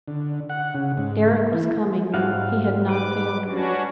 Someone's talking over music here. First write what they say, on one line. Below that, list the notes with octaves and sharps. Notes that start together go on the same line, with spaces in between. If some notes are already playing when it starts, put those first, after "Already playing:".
Deryck was coming. He had not failed her.
D3
F#5
C#3
G#2
E3
G#2 G3 F#4 E5 F5
B4 D6
C#4 D4 F#4